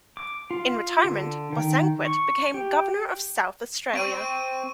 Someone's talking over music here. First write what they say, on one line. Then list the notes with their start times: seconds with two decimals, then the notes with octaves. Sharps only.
In retirement Bosanquet became Governor of South Australia.
0.17 D6
0.51 F4
1.04 D3
1.53 D#3
2.05 C#6
2.54 G4
3.93 C4 C#6 D7 D#7